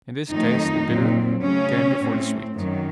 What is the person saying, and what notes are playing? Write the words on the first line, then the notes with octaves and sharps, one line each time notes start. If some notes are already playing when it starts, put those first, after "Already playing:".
In this case the bitter came before the sweet.
F2 D#3 F#3 A3 D#4
A#2 F#3 C4
C#3 F#3 A3 C#4
A2 A3 C4
F#2 D#3 F#3